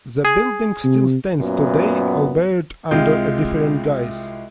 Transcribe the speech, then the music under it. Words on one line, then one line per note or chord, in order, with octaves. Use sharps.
The building still stands today, albeit under a different guise.
G#4
C3
F#2 A#2 B3
C2 G#3 F4 G5 G6